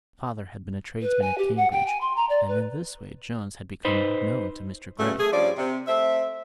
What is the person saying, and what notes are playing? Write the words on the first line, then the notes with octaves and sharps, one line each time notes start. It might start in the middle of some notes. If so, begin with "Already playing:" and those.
His father had been a tradesman at Cambridge, and in this way Jones had become known to Mr. Grey.
B4
G#5
G4
F#5
G5
G#5
C6
A#5
D5
B4
D#4 B4 C5
C#3 F#3 G3 A3 B3
A3 G#4
G2 F3 C#4 D5
C3
A3 C4 E5